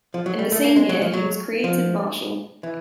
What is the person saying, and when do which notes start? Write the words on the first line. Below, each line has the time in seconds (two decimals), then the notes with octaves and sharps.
In the same year he was created marshal.
0.14 F3
0.26 F#3
0.39 G3
0.52 A3
0.64 A#3
0.76 G#3
0.89 F#3
1.02 F3
1.13 F#3
1.64 F3
2.63 E3